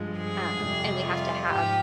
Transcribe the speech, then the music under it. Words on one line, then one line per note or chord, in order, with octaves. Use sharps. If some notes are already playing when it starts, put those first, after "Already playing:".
um, and we have to have
Already playing: G2 F3 G#3
G#4
F2 C3 G3
F4
G#2 F3 G4